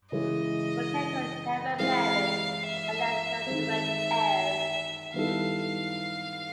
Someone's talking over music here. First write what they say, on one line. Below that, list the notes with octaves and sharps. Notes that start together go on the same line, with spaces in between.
Botetourt never married and left no direct heirs.
C#3 E3 G#3 D#5
E3 G#3 C4 E4 F5
E5
D#3 G#3 C4
D#3 G3 B3 E4 A4 F5